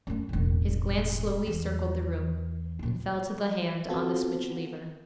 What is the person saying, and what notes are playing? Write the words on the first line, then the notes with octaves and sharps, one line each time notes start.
His glance slowly circled the room, and fell to the hand on the switch-lever.
F#2 A3
E1 A1
E2
C#2 A#2
B3 C4 F4 F#4 A4